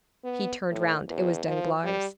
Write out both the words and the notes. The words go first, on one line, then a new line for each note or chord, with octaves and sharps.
He turned round; it was Danglars.
B3
A2
E2
F3
G3